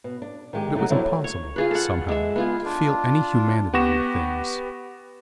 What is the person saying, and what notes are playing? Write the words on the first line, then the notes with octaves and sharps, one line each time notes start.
But it was impossible, somehow, to feel any humanity in the things.
B2
D4
D#3 G#3 G4
F#3 G#3 A3 D#4
D#2 D3 F3 F#3 D4 E4
C#5
F4 G#4 B4
A4 F#5
G#3 E5
B3 F4 G#4
D4 F4
B3 G4 F#5 C#6 A#6 E7